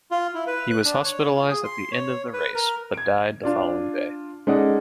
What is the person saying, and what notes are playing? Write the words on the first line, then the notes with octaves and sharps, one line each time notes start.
He was hospitalised at the end of the race, but died the following day.
F4
E4
B4
F#6
D4
C#5
F4
G#4
C6
C#5
B4
A#4
G#6 D7
D4 F4 D5
G#3 C#4 D#4 A4 D5 F#5